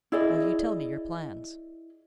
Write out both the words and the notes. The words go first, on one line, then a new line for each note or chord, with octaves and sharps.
"Will you tell me your plans?"
E4 G#4 D5 D#5